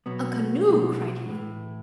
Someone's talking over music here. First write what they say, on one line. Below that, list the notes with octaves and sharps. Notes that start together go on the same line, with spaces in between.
"A canoe!" cried he.
B2 F#3 B3
B2 F#3
A2 E3